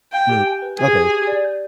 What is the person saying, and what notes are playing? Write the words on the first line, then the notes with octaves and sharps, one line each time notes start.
Mm. Okay, I see
F5 G5
G4
G#5
B4
G#4 G#5
G4
G4
D5
G6